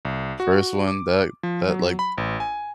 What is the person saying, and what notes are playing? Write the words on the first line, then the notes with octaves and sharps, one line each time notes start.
First one that that, like,
C2
F#4
D6
F3
F#3
B5
A1
G#5